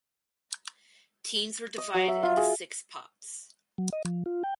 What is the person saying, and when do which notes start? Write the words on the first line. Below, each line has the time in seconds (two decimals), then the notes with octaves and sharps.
Teams were divided into six pots.
1.78 D#5
1.94 F#3
2.08 E5
2.23 F4
2.37 G#4
3.78 F#3
3.93 D#5
4.05 F3
4.26 F4
4.44 G5